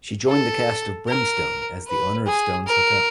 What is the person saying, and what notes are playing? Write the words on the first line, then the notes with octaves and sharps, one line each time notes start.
She joined the cast of "Brimstone" as the owner of Stone's hotel.
A4
A#4
B4
G#4
A#4